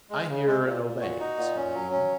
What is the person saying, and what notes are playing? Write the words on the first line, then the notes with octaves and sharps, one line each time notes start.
"I hear and obey," said the Demon.
G#3
C#3
G#3
A#2
A#2
F#4
D#4
A#2
C#4
F#3
C#4